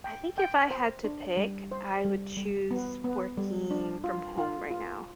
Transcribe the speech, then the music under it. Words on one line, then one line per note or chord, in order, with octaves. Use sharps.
I think if I had to pick, I would choose working from home right now.
G5
G5
C5
D4
G3
C5
G3
G3
B3
B3
G3
D4
F4
F4
F4